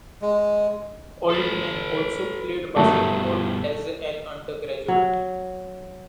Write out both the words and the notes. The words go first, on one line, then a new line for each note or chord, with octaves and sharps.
Altmann also played basketball as an undergraduate.
G#3
A4 B4
G2 B2 D#3 F#3 G3 A3
F#3